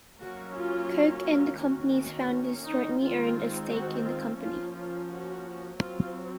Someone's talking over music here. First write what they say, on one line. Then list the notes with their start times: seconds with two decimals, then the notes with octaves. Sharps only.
Coke and the company's founders jointly owned a stake in the company.
0.21 F#3 A#3 C#4 F#4
0.55 F4
1.25 F4
1.60 D#3 A#3 C#4 F#4
2.65 D#4
3.00 D#3 G#3 C4 F4
3.69 F#4
4.05 F4
4.40 F3 A#3 C#4 F4
4.75 F4
5.10 F#4
5.79 F#3 C4 F4